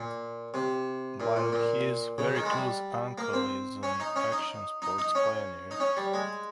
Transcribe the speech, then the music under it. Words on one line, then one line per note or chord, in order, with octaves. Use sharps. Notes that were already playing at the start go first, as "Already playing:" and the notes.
While his very close uncle is an action sports pioneer.
Already playing: A#2
C3
A#2
A#2
A#2
C#3
D#3
G#3
G3
A#3
C4
C#4
D#4
C#4
D#4
D#4
D#4
C#4
D#4
C#4
G3
G#3